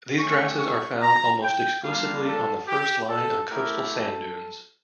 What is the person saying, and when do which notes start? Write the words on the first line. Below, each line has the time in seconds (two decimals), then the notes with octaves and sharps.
These grasses are found almost exclusively on the first line of coastal sand dunes.
0.19 A3 C#4 G4 C#6
0.60 C#6
1.02 A#5
1.43 G5
1.84 G3 A#3 D4 F4 F5
2.26 A4
2.68 G4
3.09 A4
3.50 A3 E4 G4 A#4
3.91 A4